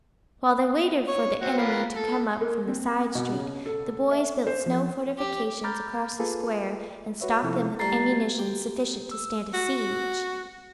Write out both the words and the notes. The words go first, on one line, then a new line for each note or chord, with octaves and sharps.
While they waited for the enemy to come up from the side street, the boys built snow fortifications across the Square and stocked them with ammunition sufficient to stand a siege.
C#5
C4 F#4
F4 A#4 B4
A4
A#3
C4
B2
C#3
A4
E5
C5
F3
G4
A#5 B5 D6 F6 G6 A6
F4 G#4 A4 B4
F#4 B4 C#5 E5
C3 F3 C4 E4 F4 A4
G3 A3 A#5 A6 C7
F#4
G4
E6
F#4